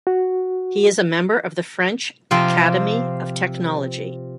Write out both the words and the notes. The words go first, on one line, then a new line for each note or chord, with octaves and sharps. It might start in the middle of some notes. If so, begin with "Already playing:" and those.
He is a member of the French Academy of Technology.
F#4
C3 F3 C4 F4